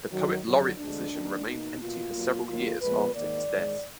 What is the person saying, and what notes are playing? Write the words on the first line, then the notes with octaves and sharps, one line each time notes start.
The poet laureate position remained empty for several years after his death.
F#2 D#3 F#3
F2 D3 F#3
D2 D3 G#3 D4
F2 D#3 A#3
B2 A#3 D#4
B2 A#3 F4
B2 F#3 A#3
D#2 D#3 F#3 A#3 F4
A#2 F3 G#3 B3 B4
G#2 D#3 A#3 D5
G#2 D#3 G#3